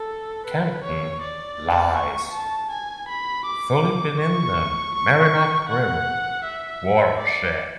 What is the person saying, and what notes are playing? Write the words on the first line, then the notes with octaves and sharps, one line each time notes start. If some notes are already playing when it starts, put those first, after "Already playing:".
Campton lies fully within the Merrimack River watershed.
Already playing: A4
B4
C#5
D5
C#6
A5
G#5
B5
D6
C#6
C#6
F#5
E5
D5